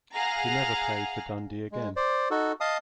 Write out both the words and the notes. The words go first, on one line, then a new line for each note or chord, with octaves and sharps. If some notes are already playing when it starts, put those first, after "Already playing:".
He never played for Dundee again.
G#4 F5 F#5 A#5
G#3
C5 D5
D#4 F#4 A4
D#5 F5 A5 D#6